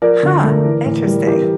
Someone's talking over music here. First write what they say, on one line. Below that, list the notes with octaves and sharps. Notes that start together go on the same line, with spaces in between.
Huh. Interesting.
F3 A#4 D5
D3
A3
E3
A2
G3
E3 G4 A#4